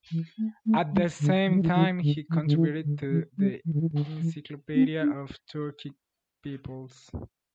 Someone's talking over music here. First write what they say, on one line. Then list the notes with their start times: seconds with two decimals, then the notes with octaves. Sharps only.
At the same time he contributed to the "Encyclopedia of Turkic Peoples".
0.11 E3
0.38 A3
0.66 A3
0.92 G3
1.20 D3
1.47 E3
1.55 G3
1.63 E3
1.74 E3
2.01 D3
2.29 E3
2.45 D3
2.56 E3
2.84 D3
3.10 E3
3.38 G3
3.65 E3
3.73 D3
3.81 E3
3.92 D3
4.20 E3
4.75 C4
5.01 D4